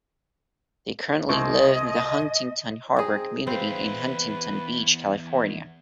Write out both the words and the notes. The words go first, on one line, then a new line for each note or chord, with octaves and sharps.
They currently live in the Huntington Harbour community in Huntington Beach, California.
C2 C4 D#5 C#6 D#6
C4 D#4 G#4
E2 C4 B4 F5